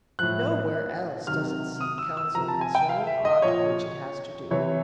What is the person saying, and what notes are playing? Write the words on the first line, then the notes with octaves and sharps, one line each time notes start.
Nowhere else does it seek counsel concerning aught which it has to do.
A2 F3 F#6
C3 D#3 F#3 F6
D#6
E6
E6
C3 F3 A#5
A5
G#5
G5
F5
E5
D#5
A#2 F3 C#5
C3 E3 C#5